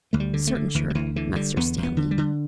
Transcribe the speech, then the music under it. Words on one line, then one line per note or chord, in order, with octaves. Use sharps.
'Certain sure, Master Stanley.'
D2 A3
G3
D3
A3
D3
D2 E3
G3
D2 E3
D3 E3
D3 G3
E2 B3
E2
B3
D3
G3
D3